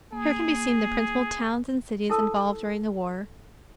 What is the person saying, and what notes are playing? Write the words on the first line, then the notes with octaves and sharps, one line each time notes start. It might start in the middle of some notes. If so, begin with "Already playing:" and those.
Here can be seen the principal towns and cities involved during the war.
A#3 G#4
E4 A4 A5 E6